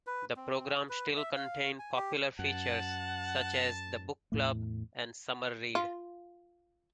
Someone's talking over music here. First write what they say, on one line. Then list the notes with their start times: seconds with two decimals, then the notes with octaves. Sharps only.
The programme still contained popular features such as the "Book Club" and "Summer Read".
0.07 B4
0.36 C4
0.89 B4
1.17 E5
1.36 F5
1.79 G#5
1.96 G4
2.39 F#2 F#5 A5
4.32 E2 A2 A3
5.75 F4